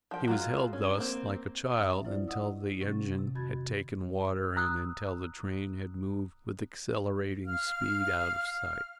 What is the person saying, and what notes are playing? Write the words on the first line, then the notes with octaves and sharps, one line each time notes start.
He was held thus, like a child, until the engine had taken water, and until the train had moved, with accelerating speed, out of sight.
F3 G5
F#3 G#3 F4
C#4
A#3 C4
F#2 F#3 C#4 E5 D#6
F#3 E4 F4 C5 D5
D#5 F#5 D#6 E6
C3 E3 F#3 C#4 A6
C3
F2 D#3 F#4 B5 G#6 A6
A#5 D#6 E6 F#6
F5 F6